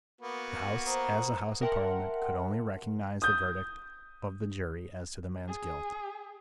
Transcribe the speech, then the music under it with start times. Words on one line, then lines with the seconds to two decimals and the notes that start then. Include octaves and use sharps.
The House, as a House of Parliament, could only recognise the verdict of the jury as to the man's guilt.
0.21 A#3 B3 F#4
0.86 C5 A#5 D#6
1.62 A#4 E5 F#5 G5 A5 C6
3.22 D#6 G6
5.48 G#4